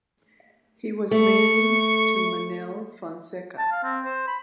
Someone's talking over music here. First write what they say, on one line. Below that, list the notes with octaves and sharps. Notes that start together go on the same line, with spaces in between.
He was married to Manel Fonseka.
A3 C#6
A5
F5
C4
C5
B5